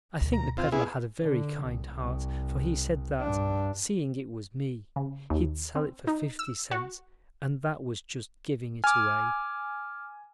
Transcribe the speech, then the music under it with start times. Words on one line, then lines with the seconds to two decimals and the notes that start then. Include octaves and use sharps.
I think the peddler had a very kind heart, for he said that, seeing it was me, he'd sell it for fifty cents and that was just giving it away.
0.21 D2 B2
0.33 A#5
0.58 C4 F4
0.72 B3 E4 G#4
1.23 D3
1.65 C2
1.94 C2
3.20 G2 D4
4.96 C#3
5.30 D#2
5.76 C4
6.07 D#4
6.39 E6
6.71 F#4
8.84 G#5 D6 F6